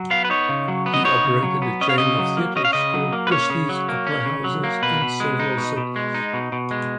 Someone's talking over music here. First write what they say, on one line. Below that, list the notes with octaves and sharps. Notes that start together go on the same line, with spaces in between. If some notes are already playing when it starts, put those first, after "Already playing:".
He operated a chain of theaters called Christy's Opera Houses in several cities.
Already playing: F#3
B3 F5
B4
D#4 C#5
C#3
F#3
B3
D#5
D#4 C#5
C#3
F#3
B3
C#4 D#5
F5
C#3 D#5
F#3
A#3
C#4 D#5
F5
C#3 D#5
F#3
A#3
B4
C#4 C#5
C#3
F#3
A#3
C#4
C#3
F#3
A#3
B2 B4
B2
G#3
D#4
B2
B2
G#3
D#4
B2
B2
G#3